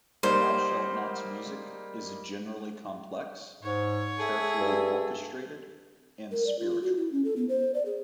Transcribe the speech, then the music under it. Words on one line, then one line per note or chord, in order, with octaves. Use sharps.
ThouShaltNot's music is generally complex, carefully orchestrated, and spiritual.
G3 A#3 D#4 C5
G#2 C#5
G#4 A4 E5
G2
A#4
D5
F4
F#4
E4
C#4
A4
B3
C5
D5
G#4